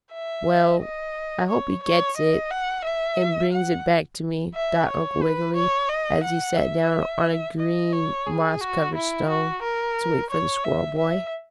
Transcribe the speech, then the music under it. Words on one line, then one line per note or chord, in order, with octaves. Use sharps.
"Well, I hope he gets it and brings it back to me," thought Uncle Wiggily, as he sat down on a green, moss-covered stone to wait for the squirrel boy.
E5
D#5
C#5
C#5
D#5
F#5
E5
F#5
E5
C#5
B4
C#5
D#5
F#5
E5
D#5
C#5
G#4
F#4
E4
F#4
A#4
C#5
E5
E5